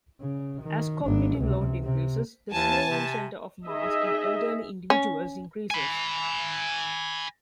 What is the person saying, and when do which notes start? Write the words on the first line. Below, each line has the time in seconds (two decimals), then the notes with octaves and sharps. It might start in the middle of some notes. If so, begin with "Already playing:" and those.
As cognitive load increases, the sway in center of mass in elderly individuals increases.
0.21 C#3
0.63 D#3
1.04 G#1 D4
1.38 C#2 C3
1.84 C3
2.53 D#2 E3 G#5 A5
2.90 C3
3.66 D#4 G#4 D#5 E5
4.90 C#4
5.71 G#5 B5